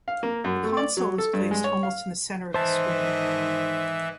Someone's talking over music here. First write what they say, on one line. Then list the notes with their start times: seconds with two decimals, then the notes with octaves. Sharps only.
The console is placed almost in the centre of the screen.
0.08 F5
0.23 A#3
0.44 F#2
0.64 A3
0.77 D5
0.97 F#3
1.18 A4
1.33 G2
1.51 G#3
1.64 C#5
1.83 F5
2.54 G#2 D#3 E3 C5 D#5 E5 A5